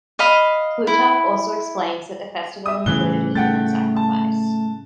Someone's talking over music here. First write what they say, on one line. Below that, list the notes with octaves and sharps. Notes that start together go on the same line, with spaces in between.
Plutarch also explains that the festival included a human sacrifice.
D#5 F5 B5
E4
E5 D#6
A2 C#3 E3 G3 F#6 G7
A3 F#5 G5 A6
A5